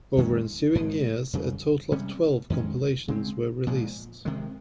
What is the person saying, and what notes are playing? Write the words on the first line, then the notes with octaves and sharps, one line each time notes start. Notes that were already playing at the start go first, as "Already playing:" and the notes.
Over ensuing years, a total of twelve compilations were released.
F2 D#3 G#3 C#4
G#2 F3 G#3
F2 C#3 G3
C3 G3 C#4
F2 D#3 G#3 C#4
C#3 G#3 C4
A#2 F3 G#3
C3 D#3 G#3